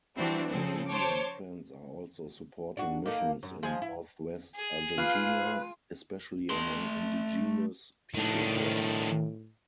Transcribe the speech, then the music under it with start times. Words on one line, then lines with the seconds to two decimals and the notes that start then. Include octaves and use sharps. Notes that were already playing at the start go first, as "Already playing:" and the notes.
Bolivian Friends are also supporting missions in northwest Argentina, especially among indigenous people there.
0.17 E3 G3 C4 D4 E4 F#4
0.48 C#3 F3 C4 G#4 A4
0.88 C5 C#5 A5 D6
2.77 D4 F#4
3.06 A#3 D#4 A4
3.43 F#2
3.63 F3 G#3 G#4
3.82 E4
4.55 G#4
4.98 F4 B4 F5
6.50 A3 C6
8.15 A2 D#3 D4